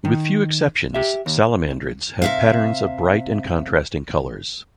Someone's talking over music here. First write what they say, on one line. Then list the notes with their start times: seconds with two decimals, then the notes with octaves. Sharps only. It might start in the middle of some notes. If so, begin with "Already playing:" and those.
With a few exceptions, salamandrids have patterns of bright and contrasting colours.
0.05 D#3
0.94 G4 E5
1.26 D#2
2.22 C3 E5 F5